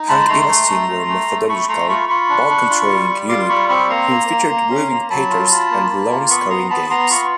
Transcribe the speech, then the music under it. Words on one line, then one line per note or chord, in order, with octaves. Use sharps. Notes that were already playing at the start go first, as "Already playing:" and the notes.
Hank Iba's teams were methodical, ball-controlling units who featured weaving patterns and low-scoring games.
Already playing: D#4
G#3 A5 B5
A3 A#5 C6
A3
A3
A3
A3
A3
A3 B5 C#6
A3 A#5 C6
F4 B5 C#6
F4 B5 C#6
D4
D4
F4
G3
G3
F4 C6 D6
G3 B5 C#6
C4 B5 C#6
A#3 A#5 C6
A#3
A#3
A#3
C#4
A#3
F#3 A5 B5
F4
F4
A#3
A#3
F4
B3 B5 C#6
B3 A#5 C6
B3 A5 B5
B3 A#5 C6
F4 B5 C#6